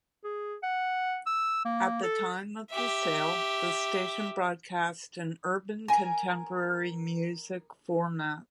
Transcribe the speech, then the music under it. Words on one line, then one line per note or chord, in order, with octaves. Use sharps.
At the time of the sale, the station broadcast an urban contemporary music format.
G#4
F#5
E6
A#3
A4
G4 E5
A#4 G#5